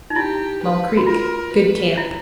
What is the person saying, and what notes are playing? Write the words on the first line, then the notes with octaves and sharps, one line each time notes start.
Small Creek.--Good camp.
D#4
E4 G4
B4
F#4
F4 A#4
B4
E4